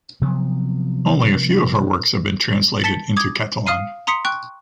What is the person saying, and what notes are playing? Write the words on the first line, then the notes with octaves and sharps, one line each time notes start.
Only a few of her works have been translated into Catalan.
C3 F3 F#3 B3
A5 A6 B6 C#7 G7
D6 D#6 G#6
F5 D#6 F6 C7 D#7
A#5 C6 D#6 B6 C#7
G5 C#6 F#6